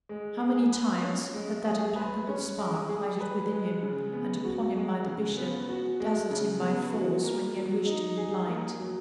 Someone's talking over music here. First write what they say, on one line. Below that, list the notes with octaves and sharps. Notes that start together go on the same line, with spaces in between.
How many times had that implacable spark, lighted within him, and upon him by the Bishop, dazzled him by force when he had wished to be blind!
G#3
G#4
B4
C#4
G#3
G#4
B4
C#4
G#3
G#4
B4
G#3
C#3
B3
F#4
G#3
C#3
B3
F#4
G#3
C#3
B3
F#4
A#3
F#3
D#4
G#4
A#3
F#3